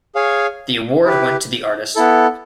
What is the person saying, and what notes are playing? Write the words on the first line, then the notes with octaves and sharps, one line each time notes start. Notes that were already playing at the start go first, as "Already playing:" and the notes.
The award went to the artist.
G#4 C#5 F5 G#5
E4 G4 B4
B3 E4 A4